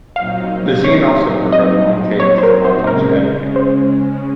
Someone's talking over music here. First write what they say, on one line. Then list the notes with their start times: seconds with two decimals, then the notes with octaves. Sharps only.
Bazin also preferred long takes to montage editing.
0.16 A#2 F#3 C4 D#4 F5
0.84 C#5
1.52 D#5
2.20 C#5
2.38 C5
2.43 A#4
2.65 C5
2.87 C#3 G#3 C#4 A#4
3.56 C5